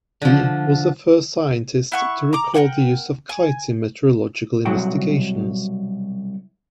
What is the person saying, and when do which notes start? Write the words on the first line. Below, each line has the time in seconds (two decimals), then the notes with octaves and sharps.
He was the first scientist to record the use of kites in meteorological investigations.
0.22 D3 F3
1.92 E4 F#5 C#6
2.33 A#5 D6
2.54 A#4 C5 F#5 G5
3.29 G#5
4.65 C2 B2 F#3 F#4 F#5 G5